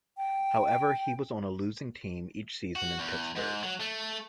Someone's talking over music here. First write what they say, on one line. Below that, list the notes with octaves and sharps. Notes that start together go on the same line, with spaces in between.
However, he was on a losing team each season in Pittsburgh.
G5
F#4
E2
G#2
F#3
A3